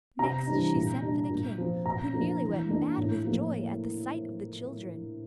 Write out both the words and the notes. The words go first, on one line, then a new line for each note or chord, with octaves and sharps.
Next she sent for the king, who nearly went mad with joy at the sight of the children.
C3 A#5
E3 G3 D4
A#2
G3 D4
A#2
F3 C4
A#2 A#5
F3 A#3 D4
E3
A#3 D4
A2
F3 A#3